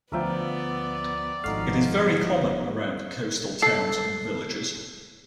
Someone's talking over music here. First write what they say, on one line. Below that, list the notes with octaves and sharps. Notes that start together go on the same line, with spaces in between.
It is very common around coastal towns and villages.
D2 F3 B3 A#4 D5 E5 G5
G#1 F3 A3 D#4 F#4 F5
A4 C7